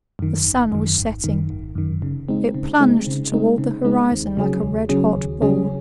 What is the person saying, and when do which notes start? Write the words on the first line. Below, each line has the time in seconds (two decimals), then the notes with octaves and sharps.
The sun was setting; it plunged towards the horizon like a redhot ball.
0.19 F#2 D#3
0.45 G#1
0.72 F#2 D#3
0.98 G#1
1.24 F#2 D#3
1.50 G#1
1.75 F#2 D#3
2.02 C#3
2.28 G#3 C4 D#4
2.54 C#3
2.80 G#3 C4 D#4
3.07 C#3
3.32 G#3 C4 D#4
3.58 C#3
3.85 G#3 C4 D#4
4.11 D#2
4.37 C#3 F#3 C#4 G#4
4.63 D#2
4.89 C#3 F#3 C#4 G#4
5.16 D#2
5.42 C#3 F#3 C#4 G#4